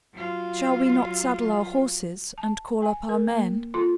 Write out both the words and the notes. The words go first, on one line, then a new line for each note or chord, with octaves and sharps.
"Shall we not saddle our horses, and call up our men?"
F#3 F4
A5
G#5
A#4
A#3
F4 A4 C6